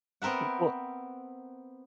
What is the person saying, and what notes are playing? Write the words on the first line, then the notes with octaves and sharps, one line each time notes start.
Mm, well
B3 C4 A#4 E5 F#5